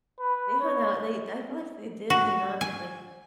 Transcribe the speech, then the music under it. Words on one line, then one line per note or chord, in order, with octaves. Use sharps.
They hung out, they I feel like they did hang on, like,
B4
C#5
F#4
G#5